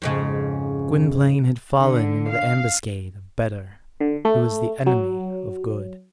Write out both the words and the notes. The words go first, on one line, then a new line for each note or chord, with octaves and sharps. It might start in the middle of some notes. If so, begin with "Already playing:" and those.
Gwynplaine had fallen into the ambuscade of Better, who is the enemy of Good.
F2 G#2 C#3
D3
F5
D3
A3
F#3